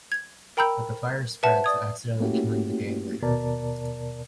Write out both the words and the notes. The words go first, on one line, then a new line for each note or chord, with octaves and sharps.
But the fire spreads, accidentally killing the gang leader.
G#6
A#4 G5 A#5 B5 E6 G6
B4 E5 F#5 A5
D5 D#6 G#6
A3 A#3 C#4 E4 F#4 G4
D#2 B2 A#4 D5 A5